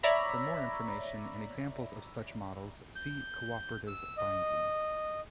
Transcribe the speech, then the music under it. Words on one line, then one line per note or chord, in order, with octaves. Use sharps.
For more information and examples of such models, see Cooperative binding.
C#5 D5 E5 A#5 B5
G6
E6
D#5